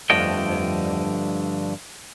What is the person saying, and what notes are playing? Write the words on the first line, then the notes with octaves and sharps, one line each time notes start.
rather than, you know,
G2 D3 F3 A3 D#5 G5